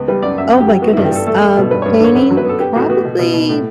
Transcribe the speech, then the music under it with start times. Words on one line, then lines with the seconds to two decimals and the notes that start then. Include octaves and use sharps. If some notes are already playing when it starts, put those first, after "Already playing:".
Oh my goodness, um, painting probably
Already playing: C#2 B3
0.08 G3 B4
0.22 F#2 D5
0.38 F#2 E5
0.53 F#2
0.60 G4
0.67 G3
0.82 B3 F#4
0.93 G2 E4
1.05 G4
1.11 G2 A4
1.27 A3 A4
1.41 A3
1.57 B2
1.71 G2 B4
1.82 G2 C#5
1.94 B4
2.00 D3 C#5
2.15 F#2 B4
2.31 F#3
2.37 B4
2.45 B3 A4
2.60 B3 G4
2.75 A2 F#4
2.90 B3 F#4
3.05 B2
3.19 B2
3.34 B2
3.49 A2